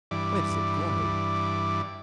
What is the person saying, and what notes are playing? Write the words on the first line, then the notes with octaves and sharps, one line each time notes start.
Where does it grow?
G2 E3 D5